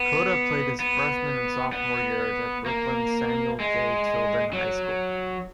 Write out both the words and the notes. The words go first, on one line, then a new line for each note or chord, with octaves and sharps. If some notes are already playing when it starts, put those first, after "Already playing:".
Cota played his freshman and sophomore years at Brooklyn's Samuel J. Tilden High School.
Already playing: B3
B3
B3
A#3
G#3
F#3